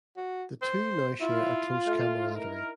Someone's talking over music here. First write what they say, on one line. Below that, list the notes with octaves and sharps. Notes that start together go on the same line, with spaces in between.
The two now share a close camaraderie.
F#4
C5
E4 F4
A3
D#4 E4 A#4